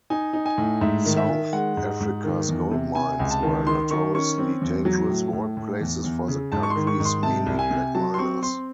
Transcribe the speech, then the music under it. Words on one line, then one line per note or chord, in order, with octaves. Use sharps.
South Africa's gold mines were notoriously dangerous workplaces for the country's mainly black miners.
D#4 G#5
D#4
G#5
A2
G#2 E5
D#3
E5
D#3
G#3 F#5
G#2
G#2
D#3
E2
C3
C3 G#5
C#2
A5
D#3
D#3 C6
D#3 C#6
C#4 C#6
C4
E2
F#3
A2
A2
A2
E2
E2
C#3
G#2 A5
C#6
C6
D#3
C#6
G#2
C6
C3 A5
C2
G#5
C3
F#3 A5
C6
C4 C#6
C4 C6